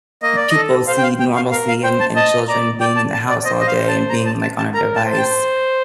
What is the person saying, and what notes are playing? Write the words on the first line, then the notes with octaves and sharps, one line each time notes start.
people see normalcy and and children being in the house all day and being, like, on a device,
A#3 D#5
D5
A4 D#5
C5 F5
G5
F5
G5
F5
A#4 F5
F5
C5 G5
A5
D#5 A5
D5 A#5
D5 G5
A5
A5
D5
C5 D#5
D#5
F5
A5
A#5
A5
A5
A5
A#4 A#5
A5
C5
A5
G5